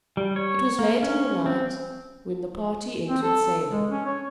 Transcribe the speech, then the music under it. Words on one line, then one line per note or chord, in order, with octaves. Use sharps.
It was late in the night when the party entered Salem.
G3
C#5
A#3
C#4
C4
C4
A4
G#3
C#4
C#5